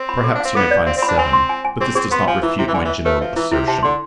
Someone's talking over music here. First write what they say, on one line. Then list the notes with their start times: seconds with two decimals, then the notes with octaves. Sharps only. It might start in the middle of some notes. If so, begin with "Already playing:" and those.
Perhaps you may find seven, but this does not refute my general assertion.
Already playing: C4
0.09 B5
0.24 A4
0.35 D4
0.40 C4 F5
0.55 B3 A4
0.71 D5
0.86 C4 F5
0.98 C4
1.02 B5
1.08 D4
1.17 C4 G#5
1.33 C6
1.49 G#5
1.65 G#5
1.81 C4 G#4
1.95 C4 G#4
2.11 B3 C6
2.27 F3 G#5
2.42 E3 E4
2.59 C3 E4
2.68 E3
2.74 D3 G#5
2.85 E3
2.90 E5
3.05 A3 B4
3.21 F3 E5
3.36 E3 E4
3.51 C3 E4
3.67 C3 A5
3.83 D3 C6